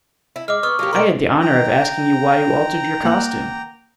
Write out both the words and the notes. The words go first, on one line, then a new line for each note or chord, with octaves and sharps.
I had the honor of asking you why you altered your costume.
E4
G#3 D6 F6
B3 C#6 D#6 F6
F#3 A#3 G4
B2 G3 A#4 C6 D7
G5 A#5
A#3 F#5